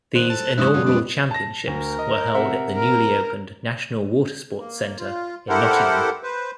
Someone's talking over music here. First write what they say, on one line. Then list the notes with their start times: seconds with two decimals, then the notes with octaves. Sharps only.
These inaugural Championships were held at the newly opened National Watersports Centre in Nottingham.
0.15 A#2 D#3 C5 F#6
0.30 A4 A5
0.58 G#2 E3 F#3 E4 C6 C#6 D#6 F#6
0.74 F#2 F3 F#3 C#4 D4 G4
0.86 F2 G3 G#3 C4 D4 G4 B4
1.31 A5 A#6
1.67 D2 A#4
1.99 D#5
2.34 C3 E5 F#5
2.75 A#4
4.59 A#3
4.99 F4
5.49 E4 G4 A4 A#4 C5 F#5
6.23 B4 C5